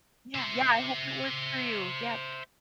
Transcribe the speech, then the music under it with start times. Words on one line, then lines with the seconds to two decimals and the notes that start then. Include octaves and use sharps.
Yeah, yeah, I hope it works for you, yep.
0.34 C5 E5